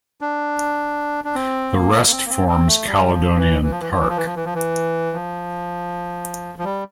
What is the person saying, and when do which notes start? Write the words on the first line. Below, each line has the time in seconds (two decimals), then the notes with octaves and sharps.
The rest forms Caledonian Park.
0.21 D4
1.24 D4
1.35 C4
1.73 A#3
2.11 C4
2.26 A#3
2.29 C4
2.48 C4
2.67 A3
2.86 G3
3.11 F3
3.37 E3
3.62 E3
3.71 F3
3.80 E3
3.90 F3
3.99 E3
4.08 F3
4.17 E3
4.26 F3
4.36 E3
4.45 F3
4.54 E3
5.13 F3
6.59 F3
6.64 G3